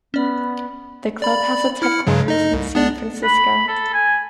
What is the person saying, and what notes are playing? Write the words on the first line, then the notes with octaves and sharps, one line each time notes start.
The club has its headquarters in San Francisco.
B3 C#4 D5
D5 B5
E4 F6 C#7
G2 C#3 F#3
D#4 D#5
C2
B3 D4 D5
B5
A4
G#5